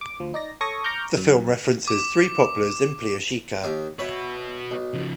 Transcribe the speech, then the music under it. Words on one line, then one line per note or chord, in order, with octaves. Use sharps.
The film references Three Poplars in Plyushcikha.
D6
D2 F3
D#4 D5 A#6
A4 C#5 C#6 D#6 A#6
A#5 C#6 D6 F6 G6
F#2
D6
D#2 F5 G5
F#4 B4 C#5 E5 F#5
B1
C#3 F3